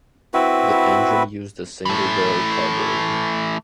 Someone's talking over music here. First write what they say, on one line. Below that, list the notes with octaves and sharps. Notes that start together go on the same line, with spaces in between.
The engine used a single-barrel carburettor.
C4 E4 F#4 B4
E3 A3